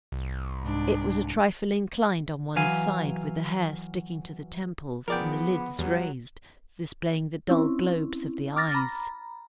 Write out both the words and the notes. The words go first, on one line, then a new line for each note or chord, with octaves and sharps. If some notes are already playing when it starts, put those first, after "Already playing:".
It was a trifle inclined on one side, with the hair sticking to the temples, and the lids raised, displaying the dull globes of the eyes.
C2
G#2 D4
E3 F#3 F5 G#5
F3 B3 G#4 A#4 D5 G5 D6
E2 F#3 G3
C4 C#4 E4
D6 F6 A6 A#6
A#5 B5